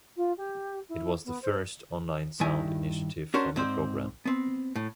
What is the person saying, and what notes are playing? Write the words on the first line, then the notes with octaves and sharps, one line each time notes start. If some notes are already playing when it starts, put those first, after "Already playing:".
It was the first online sound initiative from the programme.
F4
G4
E4
B3
C5
G2 D#3 E4 G#5
C#4 D4 F#4 A#4 C5
G#2 C4 C5 D5
B3 C4
A2